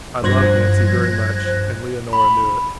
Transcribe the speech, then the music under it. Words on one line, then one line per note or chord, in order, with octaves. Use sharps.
I loved Nancy very much--and Leonora knew it.
G2 F3 C5 F#6 G#6 A#6
B5